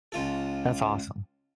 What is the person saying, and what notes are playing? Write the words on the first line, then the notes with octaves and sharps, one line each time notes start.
That's awesome.
C#2 F4 A4